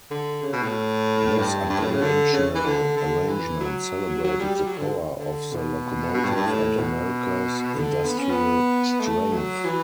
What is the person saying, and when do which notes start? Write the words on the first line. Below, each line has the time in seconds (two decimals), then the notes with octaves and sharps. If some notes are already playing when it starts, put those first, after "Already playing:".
This unconventional arrangement celebrated the power of the locomotive and America's industrial strength.
0.11 D3
0.43 C#3
0.53 B2
0.63 A2
1.38 G2
1.70 G2
1.80 A2
1.91 C#3
2.01 D3
2.33 C#3
2.55 E3
2.65 D3
2.97 D3
3.28 E3
3.60 F#3
4.24 F#3
4.40 G3
4.55 G3
4.66 F#3
4.77 D3
5.19 D3
5.51 B2
6.14 B2
6.25 G2
6.36 G2
6.47 A2
6.78 B2
7.74 D3
8.05 B3
8.18 C#4
8.30 B3
9.00 A3
9.33 F#3
9.65 E3